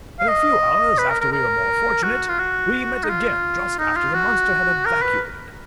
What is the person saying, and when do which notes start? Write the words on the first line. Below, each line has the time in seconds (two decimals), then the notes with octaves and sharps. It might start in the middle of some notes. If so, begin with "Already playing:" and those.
In a few hours after we were more fortunate, we met again just after the monster had evacuated.
0.20 F5
0.28 D#5
0.98 B4
1.10 A#4
1.21 A#4
1.32 A#4
2.03 F#4
2.29 F4
2.39 F#4
3.04 D#4
3.10 F4
3.79 D#4
3.96 F4
4.14 F#4
4.85 A#4
5.02 B4